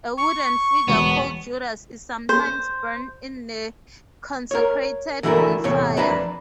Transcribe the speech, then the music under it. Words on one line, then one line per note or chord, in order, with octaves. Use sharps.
A wooden figure called Judas is sometimes burned in the consecrated bonfire.
C#6
E1 B3
C5
A#4 C#5
D3 E3 A3 E4 F#4 A#4
E2 A2 C3 C#5
F2 D4 B4 E5 A#5 B5